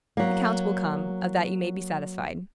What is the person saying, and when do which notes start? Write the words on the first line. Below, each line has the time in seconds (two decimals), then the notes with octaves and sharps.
"The count will come, of that you may be satisfied."
0.17 F#3 A#3